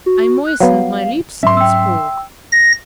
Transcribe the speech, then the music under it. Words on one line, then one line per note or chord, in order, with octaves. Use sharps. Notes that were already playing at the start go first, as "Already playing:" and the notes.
I moistened my lips and spoke.
F#4
F#6
F#3 B3 F5
G#2 F#3 C#4 E5 C6
G5 E6
A#6